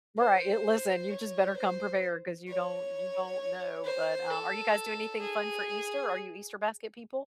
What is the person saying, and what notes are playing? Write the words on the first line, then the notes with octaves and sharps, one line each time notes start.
Well, right, i listen, you just better come prepared 'cause you don't you don't know, but, um, are you guys doing anything fun for Easter? Are you Easter basket people?
C5
C#5
C5
C#5
C5
A4
G#4